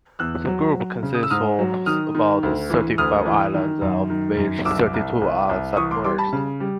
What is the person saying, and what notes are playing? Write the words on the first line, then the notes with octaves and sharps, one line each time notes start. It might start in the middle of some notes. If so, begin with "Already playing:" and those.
The group consists of about thirty-five islands, of which thirty-two are submerged.
E2 E6 F#6
F#3
F#3
C#3
D#6
E6
G#2 D#6 F6
F#3
D#3 D#6 F6
D#3
D2
E3
D2 D#6 F6
E3
D#3
F#2
D#3
F#2
C2 D6 E6
C2
C2
C2
E3 C#6 D#6
C6 D6
G3 C6 D6
A5 B5
C#3
G3